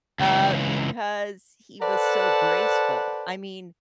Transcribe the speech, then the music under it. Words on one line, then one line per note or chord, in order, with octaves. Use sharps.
uh, because he was so graceful. I mean,
C#2 E3
A4 B4 C5 D5 F#5 A5